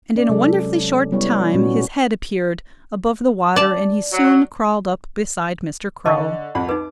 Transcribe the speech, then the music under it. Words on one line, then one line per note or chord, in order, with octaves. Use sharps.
And in a wonderfully short time his head appeared above the water and he soon crawled up beside Mr. Crow.
C#4 D5
C3 F#3 G#3 A4
G3 B3 E4 C#5
A#2 C#4 F#4
D5 A5
F#3
D3 D#5 A5 C#6
C2 F2 B5
D#4 B4 D6